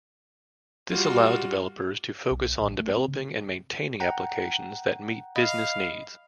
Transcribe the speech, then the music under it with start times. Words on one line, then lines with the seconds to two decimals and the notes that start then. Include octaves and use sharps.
This allows developers to focus on developing and maintaining applications that meet business needs.
0.91 G3 F4 F#4
2.31 B1
2.60 A1
2.80 A3
2.96 C4
3.08 C#3
4.00 F#5 G5 A#5
5.36 D#5 F5 B5